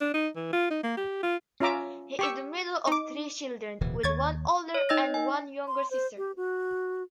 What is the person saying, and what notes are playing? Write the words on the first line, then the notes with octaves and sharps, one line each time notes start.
He is the middle of three children with one older and one younger sister.
D4
D#4
E3
F4
D#4
A#3
G4
F4
C#4 F4 E5 A#5 D6
G4 C#6 E6
D#4 D6
D1 B2 E3
D#2 C#5 G#6 A6
C#5
D#4 D#5 E6 A#6
G#5
C6
C5
G4
F#4